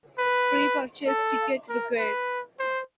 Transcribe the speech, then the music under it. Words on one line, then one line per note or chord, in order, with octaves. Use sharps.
Pre-purchased ticket required.
B4
A4
A#4
B4
C5